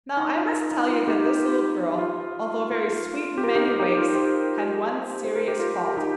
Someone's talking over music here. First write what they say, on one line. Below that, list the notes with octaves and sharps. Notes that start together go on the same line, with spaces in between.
Now I must tell you that this little girl, although very sweet in many ways, had one serious fault.
D#4
F4
D#4
F4
D#4 G4
D#4
F4
F4
G4
F4 A#4
D#4 G4
D#4
D#4 G4
F4 A#4
G4 C5
C5
A#4
G4
F4 A#4
D#4 G4